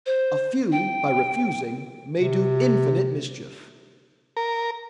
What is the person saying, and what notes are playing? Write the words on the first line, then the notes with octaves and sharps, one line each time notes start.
A few by refusing may do infinite mischief.
C5
G5
C3
A#4